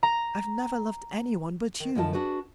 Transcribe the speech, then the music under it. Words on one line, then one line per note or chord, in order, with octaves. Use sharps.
I've never loved anyone but you.
A#5
D#3
F#2 F3 A3 D#5 G5 A5
D4 F#4 G#4 B4